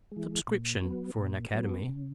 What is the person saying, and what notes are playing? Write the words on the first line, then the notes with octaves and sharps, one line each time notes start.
Subscription for an Academy.
E3 G#3
A#2
F#3 B3
A#2
F#3 B3
C#3